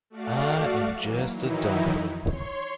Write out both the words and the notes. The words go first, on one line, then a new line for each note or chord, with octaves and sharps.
I am just a dumpling.
A3 F#4 D5 F5
E3 F#3 A#3
D#3 E3 F#3 D#4 E4
C#5 C6